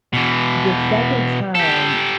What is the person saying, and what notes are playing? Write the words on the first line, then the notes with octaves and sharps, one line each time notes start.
the second time
B2 E3
G4 A4